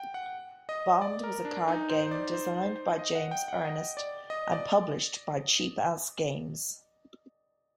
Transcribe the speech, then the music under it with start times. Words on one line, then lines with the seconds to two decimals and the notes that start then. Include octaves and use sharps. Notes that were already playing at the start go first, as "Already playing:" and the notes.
Bond was a card game designed by James Ernest and published by Cheapass Games.
Already playing: F#5 G5
0.14 F#5
0.69 D#5
1.02 D5
1.24 A#4
1.45 D4
1.68 D#4
1.89 C5
2.11 D5
2.33 C5
2.54 C5
2.99 D#5
3.15 F#5
3.31 G5
3.48 F#5
3.65 D#5
3.97 D5
4.30 D#5
4.52 D5